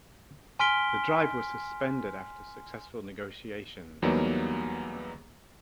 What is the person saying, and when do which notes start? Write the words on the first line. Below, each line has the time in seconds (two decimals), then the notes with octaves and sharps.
The drive was suspended after successful negotiations.
0.59 G#5 C6 F6 B6 D7 G7
4.02 E2 F#3 G3 A#3 B3 D#4